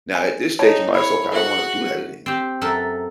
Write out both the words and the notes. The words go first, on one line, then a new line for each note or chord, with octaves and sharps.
now at this stage, I'm like, "So, okay, I don't wanna do that anymore."
G#5
D#4 C#5 G5 A5
E4 C#5
F#4 G#4 E5 F#5
C4 G4
F#2 A4 A#4 E5 A5